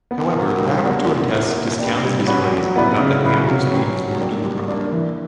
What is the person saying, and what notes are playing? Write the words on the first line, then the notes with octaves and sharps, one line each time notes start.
However, laboratory tests discounted his claim about the hammer's being formed in the rock.
B3
F#4 A#4
G3
B3 D4 F#4 A#4
B3
E4 A#4
A#3
D4 G4 B4
G3
C#4 F#4 B4 D5
F#3
B3 E4 B4 D5
C#3
F#3 C#4 E4 B4
F#3
C#4 G4
F#3
A#3 D4 G4
G3
A#3 D4
E3